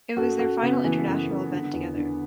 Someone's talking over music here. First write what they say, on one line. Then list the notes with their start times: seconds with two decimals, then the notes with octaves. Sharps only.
It was their final international event together.
0.17 F#2 F#4 A4
0.39 F#2 F#4 A4
0.63 C#3 B3
0.84 E3
1.07 F#2
1.29 F#2
1.52 D3
1.73 E2
1.96 D3